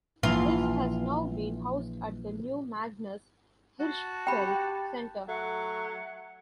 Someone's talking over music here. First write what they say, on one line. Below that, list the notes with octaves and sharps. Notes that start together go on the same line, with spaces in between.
This has now been housed at the new Magnus Hirschfeld Center.
A#1 E3 F4
F#4 A5
G4 G5 B5
F#3 A3 F#5